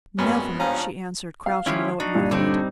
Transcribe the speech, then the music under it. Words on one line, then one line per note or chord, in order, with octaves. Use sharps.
"Never!" she answered, crouching low at my feet.
G#1 F#2 G3 A#3 B3 C#4
G2 F3 C#4 A#5
F5
D#3 F3 G#3 C#4 E4 G4
D4 D#4 F#4
G2 A#2
D3 G3 C4 D4 D#4 C#5